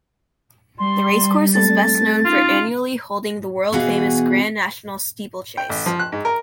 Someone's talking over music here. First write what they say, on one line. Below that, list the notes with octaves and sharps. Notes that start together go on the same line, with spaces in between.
The racecourse is best known for annually holding the world-famous Grand National steeplechase.
G3 C6
A3 C4 A4 A6
C#4 D#4 F4 F5
B2 E3 B3 F#4 G#4 F5
G5
A1
F3
F#6
G#2
A#4